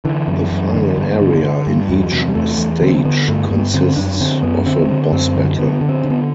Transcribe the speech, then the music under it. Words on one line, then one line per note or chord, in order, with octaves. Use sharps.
The final area in each stage consists of a boss battle.
D3 E3
F#2
F#2
D3
G2
D3
D3
G2
E2 F#3
C3
G3
E2 A3
E2
D3 C4
D3 B3
G2 A3
G2 B3
D3 C4
F#2 D4
D3 C4
F#2 B3
D3 C4
D3
F#2 C4
D3
D3 B3
D3
C4
D3
B3